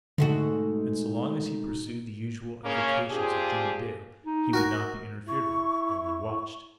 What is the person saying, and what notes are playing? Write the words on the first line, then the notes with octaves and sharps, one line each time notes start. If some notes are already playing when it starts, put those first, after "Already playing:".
And so long as he pursued the usual avocations of Jimmie Dale, he would not be interfered with--only WATCHED.
G#2 B2 D3 A3 D#4 F#4
C#3 A#3 C#4
C4 D4 F4 G4 G#4
D#4
F#4 A#4 G#5
E4 C#6